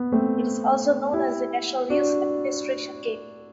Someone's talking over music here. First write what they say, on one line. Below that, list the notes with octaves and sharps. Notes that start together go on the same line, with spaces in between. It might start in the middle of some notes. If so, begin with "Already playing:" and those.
It is also known as the National Youth Administration Cabin.
Already playing: B3
A3 C4
E4 G4
D4 F#4